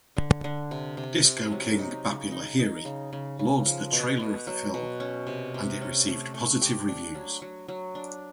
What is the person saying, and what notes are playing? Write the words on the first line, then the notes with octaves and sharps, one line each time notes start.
Disco king Bappi Lahiri lauds the Trailer of film and it received positive reviews.
D3
D3
C3
C3
C3
F#3
D#4
C#3
D#4
D#4
C#3
C#3
C#3
F3
B2
B2
F#3
B2
C#4
C3
C3
C#4
A3
A3
G4
D4
F#3
F#3
F#3
D4